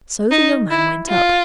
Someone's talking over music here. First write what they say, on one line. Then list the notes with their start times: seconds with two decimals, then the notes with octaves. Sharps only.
So the young man went up.
0.31 D#4
0.70 E4
1.09 F4